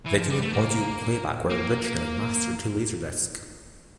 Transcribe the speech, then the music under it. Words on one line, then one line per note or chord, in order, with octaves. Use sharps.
Video and audio playback were originally mastered to laserdisc.
E3
F3
G3
A3
A#3
A#3